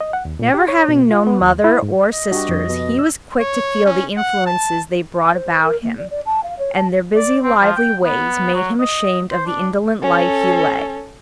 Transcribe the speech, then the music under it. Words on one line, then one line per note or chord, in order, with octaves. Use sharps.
Never having known mother or sisters, he was quick to feel the influences they brought about him, and their busy, lively ways made him ashamed of the indolent life he led.
D#5
F#5
D#2
A#2
G4
C#5
B2
F4
B3
D#2
E4
G#2
D#5
G2 F#4 G4
F2
B2
E6
C#5
C#4
F#5
A5
G#5
C5
A#4
A#3
D5
D5
A5
F5
C#5
A5
D5
C4
F3
G5
B3
F#3
D#5
C5
D4
C#4 A4